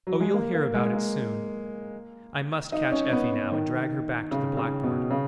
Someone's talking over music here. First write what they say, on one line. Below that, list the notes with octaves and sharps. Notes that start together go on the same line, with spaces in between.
"Oh, you'll hear about it soon...I must catch Effie now and drag her back to the blackboard."
F#3
G#3
A#3
A#3
G#3
A#3
D#4
C#4
B3
B3
D#3
C#3
C#3
B2
C#3